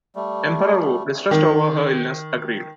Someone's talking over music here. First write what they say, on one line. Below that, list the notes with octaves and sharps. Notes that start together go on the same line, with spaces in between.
Emperor Wu, distressed over her illness, agreed.
G3 A3
D#3